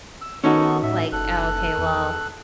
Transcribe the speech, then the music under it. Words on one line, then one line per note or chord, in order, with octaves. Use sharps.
like, oh, okay, well,
E6
D#3 B3 C#4 D#4 F#4 A4 C#6
A2 E5
F#1 A4 F#6
E2